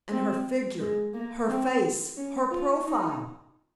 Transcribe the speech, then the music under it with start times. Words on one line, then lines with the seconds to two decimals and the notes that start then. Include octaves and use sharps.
And her figure, her face, her profile!
0.11 C4
0.80 G#3
1.14 A#3
1.48 C4
2.17 C#4
2.51 F4
2.86 D#4